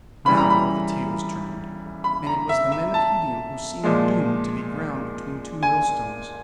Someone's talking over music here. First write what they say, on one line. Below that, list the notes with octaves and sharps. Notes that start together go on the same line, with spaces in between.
Now were the tables turned, and it was the men of Helium who seemed doomed to be ground between two millstones.
C#3 E3 G3 B5
A#5
B5
B5
A#5
E5
E5
A5
A#2 F3 G#3
G#5